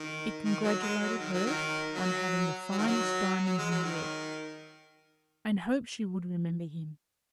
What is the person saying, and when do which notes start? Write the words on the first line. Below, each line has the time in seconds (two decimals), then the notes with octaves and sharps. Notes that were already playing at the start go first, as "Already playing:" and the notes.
It congratulated her on having the finest diamonds in Europe, and hoped she would remember him.
Already playing: D#3
0.44 D#3
0.63 F#3
0.82 G#3
1.01 F#3
1.20 D#3
1.33 F#3
1.46 D#3
1.95 F#3
2.71 F#3
2.78 D#3
2.87 F#3
3.45 F#3
3.58 G#3
3.71 F#3
3.83 D#3